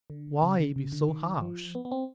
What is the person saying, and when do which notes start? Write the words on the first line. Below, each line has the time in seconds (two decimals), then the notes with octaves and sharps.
Why be so harsh?
0.10 D3
0.43 C#3
0.59 C#3
0.76 C#3
0.92 D3
1.08 D#3
1.41 F3
1.75 B3
1.85 B3
1.92 C4